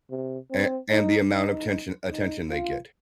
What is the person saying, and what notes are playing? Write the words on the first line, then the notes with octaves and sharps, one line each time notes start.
a and the amount of tention attention they get
C3
C4
D#4
D#4
D#4
F4